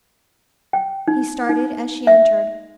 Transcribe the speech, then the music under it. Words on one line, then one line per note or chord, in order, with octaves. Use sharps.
He started as she entered.
G5
D#4
D#4
E5